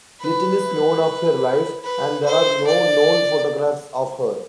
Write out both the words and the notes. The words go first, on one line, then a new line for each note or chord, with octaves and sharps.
Little is known of her life, and there are no known photographs of her.
B4
B4
C5
D5